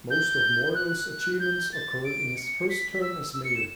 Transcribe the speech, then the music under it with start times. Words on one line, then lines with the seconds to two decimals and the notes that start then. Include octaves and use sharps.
Most of Morial's achievements occurred in his first term as mayor.
0.10 G6
0.75 F#6
1.40 G6
1.72 A6
2.05 D7
2.37 C#7
2.69 B6
3.02 E6
3.34 E6
3.45 C#7
3.56 E7